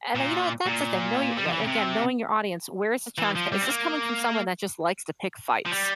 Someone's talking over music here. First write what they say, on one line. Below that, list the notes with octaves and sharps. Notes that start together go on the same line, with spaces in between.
and then you know what, that's the thing, knowing li again, knowing your audience, where is the challenge c is this coming from someone that just likes to pick fights,
A#2
A#2
G3
F3
E3
C#3
C3
E3
F3
G3
C4
A#3
F3
G3